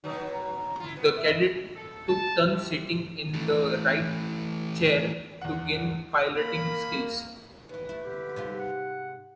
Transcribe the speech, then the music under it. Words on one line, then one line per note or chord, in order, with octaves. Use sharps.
The cadets took turns sitting in the right chair to gain piloting skills.
B2 D#3 F#3 D#4
A#5
E4 F4
A#2 B3
E5
A4
A5
C3
E3 A3
E2 F#5
A#3 A#4 B5
D#2 E3 B4
A3 E4
D3 G4
G#2 C3 F4
F#5